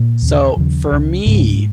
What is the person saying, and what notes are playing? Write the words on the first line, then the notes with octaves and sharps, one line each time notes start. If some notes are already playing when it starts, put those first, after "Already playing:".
So, for me,
Already playing: A#2 A#3
D#2 C#3
D#2 C#3 F3
C#2 C#3
C#2 G#2 C#3 G#3